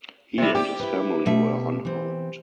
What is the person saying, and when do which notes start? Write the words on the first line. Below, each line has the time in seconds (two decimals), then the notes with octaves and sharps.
He and his family were unharmed.
0.38 C3 G3
0.55 G4 D5
0.79 E4 B4
1.26 B2 A3 E5
1.85 E3 C4